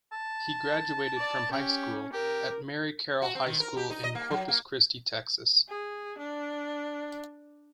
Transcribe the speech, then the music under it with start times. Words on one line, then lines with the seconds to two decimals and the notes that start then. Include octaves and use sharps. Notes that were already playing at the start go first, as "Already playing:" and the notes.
He graduated from high school at Mary Carroll High School in Corpus Christi, Texas.
0.12 A5
1.17 D5
1.52 C#4 G4
2.13 G4 A#4
3.22 F#4
3.35 C4
3.46 D#3
3.60 A#4
3.77 G4
3.90 D#4
4.04 D#5
4.15 A#3
4.31 F#3
4.48 A#3
5.69 G#4
6.19 D4